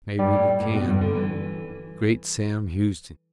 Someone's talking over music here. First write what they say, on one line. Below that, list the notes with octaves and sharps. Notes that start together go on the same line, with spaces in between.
Maybe we can--Great Sam Houston!
G2 G3
A2
A2
B2
G2
D3
E3